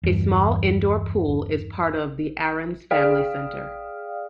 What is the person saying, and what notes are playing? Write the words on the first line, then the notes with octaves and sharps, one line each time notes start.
A small indoor pool is part of the Ahrens Family Center.
E2 G2
G#4 D5 F5 G5 D#6 F6